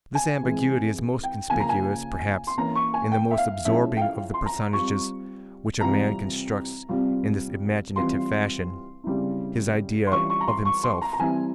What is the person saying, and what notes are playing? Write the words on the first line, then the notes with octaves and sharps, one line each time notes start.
This ambiguity is most conspicuous, perhaps, in the most absorbing of the personages which a man constructs in this imaginative fashion--his idea of himself.
G#5
E3 G#3 C4
G5
C#3 F3 A#3 G#5
A#5
G#5
C6
E3 A#3 C#4 A#5
C#6
G#5
G5
E5
F5
F3 G#3 C#4 E4 E5
G5
F5
C6
A#5
G3 C4 F4 C#6
C3 E3 G3 C4 F4 A#5
C3 G3 C4 F4
E3 G3 C4 F4 C6
C#3 G3 C4 E4
C6
E3 G3 C#4 F4 C#6
C#6
A#5
C6
C#6
C6
A#5
A#5
E3 G3 C4 E4 G#5